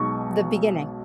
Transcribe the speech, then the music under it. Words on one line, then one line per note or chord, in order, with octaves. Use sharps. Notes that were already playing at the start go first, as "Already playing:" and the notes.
the beginning.
Already playing: B1 B2 G#3 D#4 C#6